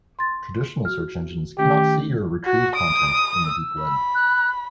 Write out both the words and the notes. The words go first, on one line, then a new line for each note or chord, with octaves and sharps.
Traditional search engines cannot see or retrieve content in the deep web.
C6 A6
F#4 F6
D#3 A3 C#4 G4
F#4
D#6 D7
E6
B5
F#6